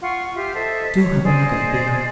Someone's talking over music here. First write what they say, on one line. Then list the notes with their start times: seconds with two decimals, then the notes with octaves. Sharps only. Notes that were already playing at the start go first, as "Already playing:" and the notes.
Do have a mug of beer.
0.01 F4 F#5 C#6
0.34 F4 G4 E5
0.53 A4 C5 D#5 E5
0.96 C#5
1.23 G#4 C5 D5 D#5